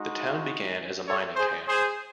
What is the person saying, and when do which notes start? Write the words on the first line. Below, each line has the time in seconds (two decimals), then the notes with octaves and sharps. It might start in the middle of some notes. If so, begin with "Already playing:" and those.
The town began as a mining camp.
Already playing: G#3 D#4 F#4
1.07 A4 C#5
1.36 G#4 C5
1.66 G#4 C5